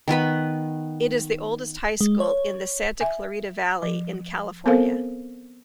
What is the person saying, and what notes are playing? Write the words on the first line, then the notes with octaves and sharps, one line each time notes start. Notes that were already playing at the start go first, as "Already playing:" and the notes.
It is the oldest high school in the Santa Clarita Valley in California.
D#3 B3 B4 B5
G#3
C#5
E5 G#5
F3
B3 C4 A4 A#4 C5 F5